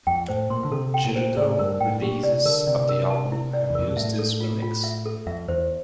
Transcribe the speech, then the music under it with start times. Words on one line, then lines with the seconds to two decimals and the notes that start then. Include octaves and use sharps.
Digital releases of the album have used this remix.
0.07 F2 G5
0.28 A2 C5
0.50 A#2 C6
0.65 D3
0.72 C3 A4
0.94 G5
1.04 A#2
1.16 C5
1.37 A2 D5
1.59 G2 A#4
1.80 A2 G5
2.02 A#2 G4
2.23 C3 D5
2.45 D3 A#4
2.67 C3 D5
2.89 A#4
3.10 A5
3.32 E4
3.53 D5
3.70 E2
3.75 F2 A#4
3.88 G2
3.97 A2 E5
4.19 A4
4.40 F4
4.62 F4
4.84 E5
5.06 A4
5.26 F2 E5
5.48 E2 C5